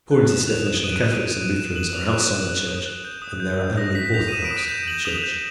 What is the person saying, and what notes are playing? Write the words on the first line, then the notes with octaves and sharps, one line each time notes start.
According to this definition the Catholics and Lutherans are outside the Church, and there are only Orthodox in the Church.
F#6
D#6 E7
F#6 F7
D#6 E7
D7
D#6 D#7
D#6 D7
F#6
F#6 D#7
F#6 E7
F#6 F#7
F#6 F7
F#6 E7
F#6
F#6
D#6
F#6
G6 E7
D#6
G6
G6
D#6 A#6
G6 B6
G6 F7
D#7
D#6 E7
D7
D#6 D#7
G6 E7
G6 F#7
E7
D#6 F7
G6